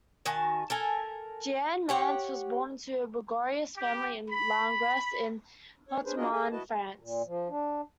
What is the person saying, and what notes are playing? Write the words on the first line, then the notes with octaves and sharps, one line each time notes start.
Jeanne Mance was born into a bourgeois family in Langres, in Haute-Marne, France.
D#3 F#4 G#5 A5
A4 A#4 G#5
G4 C#5 F#5
G4
B5
D4 C#5
C#4 D4 G#4 B4 C5
D4 F4 F#4 G#4 A#4 D#5
G#4 A4 E5 G#5
E4 F#4 B4 D#5 A5
A#2
F3
D4